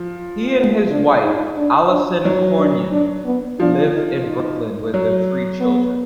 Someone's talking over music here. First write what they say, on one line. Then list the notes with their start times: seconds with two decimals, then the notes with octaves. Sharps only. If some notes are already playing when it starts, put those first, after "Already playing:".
He and his wife, Alison Cornyn, live in Brooklyn with their three children.
Already playing: F3
0.57 B3
0.90 D4
1.24 D#4
1.57 D4
1.91 D4
2.25 F#3 D#4
2.58 D4
2.92 D4
3.25 B3
3.59 F3 D4
3.93 D#4
4.26 D#4
4.94 F#3
5.61 B3